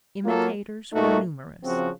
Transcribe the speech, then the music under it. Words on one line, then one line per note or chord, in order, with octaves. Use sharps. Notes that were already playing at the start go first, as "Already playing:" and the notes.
Imitators were numerous.
F#3 A#3 F4 A4
A#2 A3 D#4 F#4
C#3 F3 C4 F#4